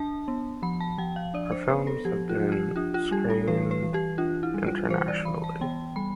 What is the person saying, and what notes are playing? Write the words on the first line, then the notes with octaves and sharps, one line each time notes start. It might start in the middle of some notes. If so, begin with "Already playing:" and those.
Her films have been screened internationally.
Already playing: D4 A5
B3
F3 B5
A5
F3 G5
F5
D4 D5
C5
B3 B4
A4
F3 G4
F4
F3
G4
D4 F4
F4
G3 G4
A4
E3 B4
B4
E3
G4
D4 F4
E4
G3
F4
E3 C5
D5
E3 B5
A5
B3 G5
G3 B5